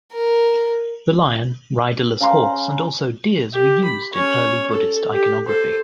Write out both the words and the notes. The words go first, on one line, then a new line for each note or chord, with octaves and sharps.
The lion, riderless horse and also deers were also used in early Buddhist iconography.
A#4
C#3 A#5 C6
G4
B5
C#4 C#5
A4
G4
A4 C5